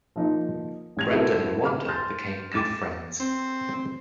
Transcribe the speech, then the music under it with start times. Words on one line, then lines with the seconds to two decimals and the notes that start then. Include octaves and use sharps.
Brenda and Wanda became good friends.
0.16 F3 A#3 D#4
0.97 A1 G#6 F7
1.10 E4 F#4 A4 A#4
1.65 F6
1.88 C6 F6 G6 A6
2.53 D6 A6 E7
3.20 C4